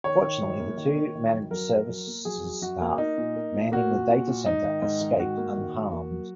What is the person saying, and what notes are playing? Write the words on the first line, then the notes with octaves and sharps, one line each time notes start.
Fortunately the two managed services staff manning the Data Centre escaped unharmed.
D#3 C#5
D#3
F#2
A#3
D#3
A#3
D#3
F#2
F#3 A#4
F#2
F#3
A#3
F#3 G#4
F#3
F#2 F#4
A#3
A#3 D#4
A#2
A#3
A#2
A#3 F#4
A#2
A#2
A#2
G#2 D#4
D#3
G#2
D#3
G#2 F#4
A#3
D#3
A#3
A#3
F#3